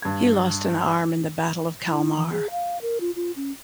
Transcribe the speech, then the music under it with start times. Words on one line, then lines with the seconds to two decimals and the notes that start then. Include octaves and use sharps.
He lost an arm in the Battle of Kalmar.
0.02 G2 G#6
1.86 E4
2.16 E3
2.32 G#4
2.51 F5
2.82 A#4
3.01 F4
3.16 F4
3.36 C#4